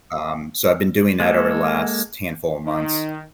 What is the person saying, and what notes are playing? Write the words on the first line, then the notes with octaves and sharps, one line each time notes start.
um, so, I've been doing that over the last handful of months,
G#3 A#3 A4
D#3 D#4